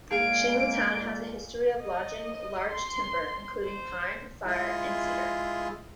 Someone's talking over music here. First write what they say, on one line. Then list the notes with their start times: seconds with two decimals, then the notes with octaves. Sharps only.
Shingletown has a history of logging large timber, including pine, fir and cedar.
0.11 A#2 G#3 A#3 G#4 F5 G#5 D7
1.82 D#5
2.72 C6
3.64 C5
4.46 G#3 E4 F4 G#4